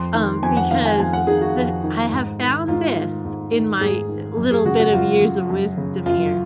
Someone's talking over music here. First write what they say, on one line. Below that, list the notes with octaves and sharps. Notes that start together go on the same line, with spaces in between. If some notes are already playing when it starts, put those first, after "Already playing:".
um, because with I have found this in my, eh, little bit of years of wisdom here.
Already playing: F2 C6
D#3
F2 G#5
F#5
D#3 F5
G#5
F2 G#5
F#5
D#3 G#4
F#4
F2
D#3
G#2
D#3
G#2 F4
D#3
G#2
D#3
G#2 G#4
D#3
F#2
G#4
C#3 F#4
F#4
F#2 F4
C#3
F#2
C#3
F#2 F4